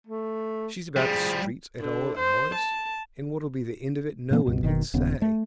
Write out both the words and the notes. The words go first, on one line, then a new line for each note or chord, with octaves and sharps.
She's about the streets at all hours, and what'll be the end of it no one can say.
A3
F3 G3 G#4
D3
C5
A5
A#2 E3 A#3 C4
C#2 G2 B2
F#1 B2 D#3
D#1 D#2 C#3 B3
A3